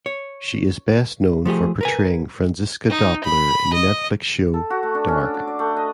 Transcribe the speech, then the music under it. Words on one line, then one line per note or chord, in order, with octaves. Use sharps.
She is best known for portraying Franziska Doppler in the Netflix show "Dark".
C#5
F3 A3 G4 G#4
A#4 B4 G#5
D#4
B5
D#5
A4
F#4
A3
D4
C#4
D4
D6
D5
A3
D#5